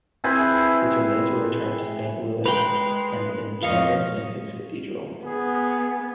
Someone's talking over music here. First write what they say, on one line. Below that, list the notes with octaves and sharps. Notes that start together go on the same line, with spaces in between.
His remains were returned to Saint Louis, and interred in his cathedral.
C4 E4 G#4 B4
G#3 B4 G5 A#5
F2 D#5 F5 C#6
B3 G#4